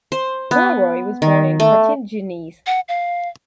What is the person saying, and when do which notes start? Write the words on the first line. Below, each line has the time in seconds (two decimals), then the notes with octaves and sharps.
Mauroy was born in Cartignies.
0.12 C5
0.51 B3
1.22 D#3
1.60 A3
2.67 F#5
2.89 F5